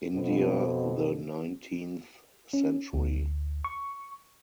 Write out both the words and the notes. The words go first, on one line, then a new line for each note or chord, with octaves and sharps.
India, the nineteenth century.
F2 B2
C#4
D2
C#6